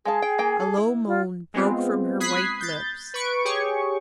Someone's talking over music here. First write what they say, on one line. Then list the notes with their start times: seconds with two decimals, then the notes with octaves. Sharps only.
A low moan broke from her white lips.
0.05 G#3 G#4 F5 A5
0.22 G5
0.38 A#3 G5 G#5
0.60 A4
0.77 E4
1.07 F4
1.54 G#3 B3 C4 F4
2.20 B5 D#6 F#6 G#6 B6 C7
2.60 G6 A6
3.14 B4 C#6 D7
3.45 G4 G#4 C#5 C#6